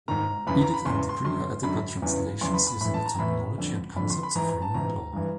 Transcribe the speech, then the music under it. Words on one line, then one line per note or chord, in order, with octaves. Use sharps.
"Edict" and "decree" are adequate translations using the terminology and concepts of Roman law.
G#2 D#3 A#5
E2 C#3 E3 B5
A#5
B5
E2 C#3 E3 C6
C6
F#2 D3 C6
F#2 D3 B5
E2 C#3 E3
E2 C#3 E3 C6
B5
B5
A2 E3 B5
A5
A#5
A2 E3 B5
F2 D3
F2 D3 B5
C6
B5
G#2 E3 A#5
A#5
A5
G#2 E3 A#5
G2 E3